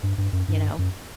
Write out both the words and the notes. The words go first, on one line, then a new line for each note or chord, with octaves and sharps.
you know,
G2
G2
F#2
G2
F#2